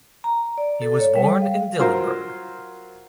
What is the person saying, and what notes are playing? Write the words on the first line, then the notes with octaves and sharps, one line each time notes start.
He was born in Dillenburg.
A#5
D5
A4
C#5
G3
F5
F#3 F4 A#4 C5